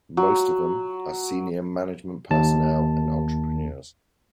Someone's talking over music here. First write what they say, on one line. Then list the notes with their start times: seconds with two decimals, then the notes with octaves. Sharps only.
Most of them are senior management personnel and entrepreneurs.
0.17 F#3
2.31 D#2 A5